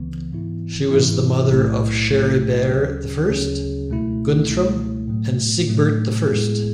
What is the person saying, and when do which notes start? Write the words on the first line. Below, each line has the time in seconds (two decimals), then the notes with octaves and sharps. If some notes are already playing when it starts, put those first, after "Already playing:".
She was the mother of Charibert the First, Guntram, and Sigebert the First.
Already playing: C#2 C#3 E3 B3
0.32 G#2 E3 B3 E4
0.91 G#2 E3 B3 E4
1.50 B1 A2 F#3 A3 E4
2.11 B1 A2 F#3 A3 E4
2.69 D2 C#3 F#3 C#4 G#4
3.29 D2 C#3 F#3 C#4 G#4
3.89 C#2 B2 A3 E4
4.49 C#2 B2 A3 E4
5.08 A2 F#3 A3
5.68 A2 F#3 A3
6.27 A2 G#3 B3 E4 G#4